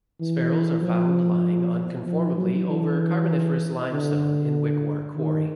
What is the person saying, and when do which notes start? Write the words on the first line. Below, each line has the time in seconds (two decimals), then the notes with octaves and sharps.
Spherules are found lying unconformably over Carboniferous limestone in Wickwar Quarry.
0.20 E3
0.82 F3
2.06 F3
2.37 F#3
2.68 E3
3.92 D3
5.16 D#3